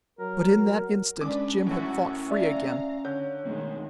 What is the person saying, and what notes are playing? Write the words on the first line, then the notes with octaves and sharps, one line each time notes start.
But in that instant Jim had fought free again.
F#3 A#4
G#3 C#4 D4 B4 D6
F#2 A2 F#4 E5
D5 E5 F5 A#5
D3 C#5 G6
B1 D#3 G#3 A3 C4